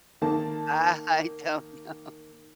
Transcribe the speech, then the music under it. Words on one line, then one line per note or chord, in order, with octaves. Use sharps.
Uh, I don't know.
D#3 A#3 D#4 A5